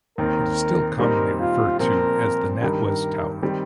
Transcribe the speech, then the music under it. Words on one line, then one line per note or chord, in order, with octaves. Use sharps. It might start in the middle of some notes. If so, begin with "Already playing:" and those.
It is still commonly referred to as the NatWest Tower.
D#2 D#3 C4 A#4
A#2 G3 C4 D#4 A#4
F4
A#2 F3 C4 A#4
G2 D#3 G3 A#4
D#3 G3 C4